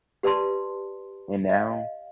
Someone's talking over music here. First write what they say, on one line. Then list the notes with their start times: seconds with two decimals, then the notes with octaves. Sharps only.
And now
0.23 G4 B4 D5 A5 C6
1.49 D#5 F5